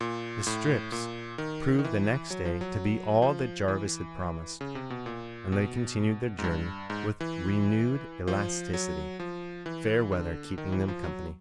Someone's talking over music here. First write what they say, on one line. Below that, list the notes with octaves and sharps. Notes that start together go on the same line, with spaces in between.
The strips proved the next day to be all that Jarvis had promised, and they continued their journey with renewed elasticity, fair weather keeping them company.
A#2
A2
A#2
D#3
D#3
E3
F#3
F3
F#3
F3
E3
C#3
C3
B2
A#2
B2
G#2
G2
G#2
E3
F3
F#3
F3
E3
D3
D#3
E3
F3
F#3